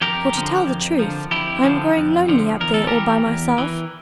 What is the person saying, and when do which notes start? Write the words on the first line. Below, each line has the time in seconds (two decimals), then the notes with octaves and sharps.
For to tell the truth, I am growing lonely up there all by myself.
0.01 F2 G4 A#4
0.35 D3 F3
0.67 F2
0.99 D3 F3
1.31 F2 E4 G4
1.64 D3 F3
1.97 F2
2.29 D3 F3
2.60 E2 A#4
2.74 A4
2.87 G4 A#4
2.93 E3
3.26 E2
3.58 E3